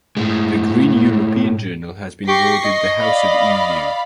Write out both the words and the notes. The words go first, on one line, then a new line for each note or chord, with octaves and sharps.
The Green European Journal has been awarded the House of eu.
A2 G#3
G4 C#6 A#6 C7
D#5
D5 F5 B5